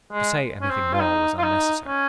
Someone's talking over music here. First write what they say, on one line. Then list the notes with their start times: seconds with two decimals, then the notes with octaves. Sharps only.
To say anything more was unnecessary.
0.12 G#3
0.62 C#4
0.70 C4
0.93 F4
1.00 D#4
1.38 F4
1.43 D#4
1.88 C#4